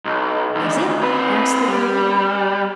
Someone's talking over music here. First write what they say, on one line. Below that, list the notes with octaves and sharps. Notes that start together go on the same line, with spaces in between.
"Is it?" asked the girl.
B1
D#2 D3
C4 B4
G3